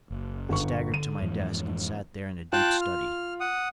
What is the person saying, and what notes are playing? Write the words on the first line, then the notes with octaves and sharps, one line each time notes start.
I staggered to my desk, and sat there in a deep study.
F#1
G1 C#6
D3 D#7
F2 G#2 E3
F4 G5 A5 F#6
F6
F#5 D#6